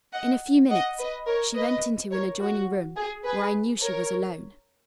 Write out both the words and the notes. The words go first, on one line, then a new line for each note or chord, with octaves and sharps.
In a few minutes she went into an adjoining room where I knew she was alone.
D#5 F#5
D#5 F#5
B4 D#5
A#4 C#5
B4 D#5
A#4 C#5
F#4
G#4
G#4 B4
A#4 C#5